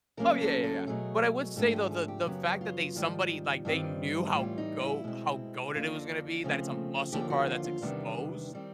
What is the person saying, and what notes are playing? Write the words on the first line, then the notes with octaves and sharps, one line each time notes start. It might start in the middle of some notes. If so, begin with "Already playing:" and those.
Oh, yeah, yeah, yeah. But I would say, though, the the fact that they somebody like, they knew how goa how goated it was gonna be, that it's a muscle car that's exposed,
C#3 F#3 A#3 C#4 A#4
A4
A4
B2 F#3 A3 G#4
G#2 F3 A3 D4 G4
G4
G#4
G4
F#2 C#3 F#3 B3 G4
F4
G#2 D#3 G3
G2 D#3 G3 C4
A2 E3 G3 F4
D#4
E4
B2 G#3 C4
F2 D3 G3 A#3 D4 F4
D2 C#3 F3 A3 C4
D#2 D3 F3 A#3 G4
F#4
F4
F4
E2 C3 D#3 G3 B3 D4
D#3 G3 C4